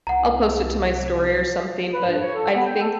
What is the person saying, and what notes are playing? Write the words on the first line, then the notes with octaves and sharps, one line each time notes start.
I'll post it to my story or something but, I think
C2 F#5 A#5
B4
G2
C#5
A4
B3
G5
A4